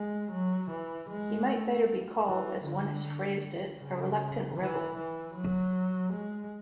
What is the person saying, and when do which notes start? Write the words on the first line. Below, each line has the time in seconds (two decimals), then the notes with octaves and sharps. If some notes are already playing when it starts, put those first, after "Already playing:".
He might better be called, as one has phrased it, 'a reluctant rebel.
Already playing: G#3
0.31 F#3
0.70 E3
1.10 G#3
1.48 A3
2.26 E3
2.65 D3
3.80 C#3
4.59 E3
4.97 E3
5.36 F#3
6.13 G#3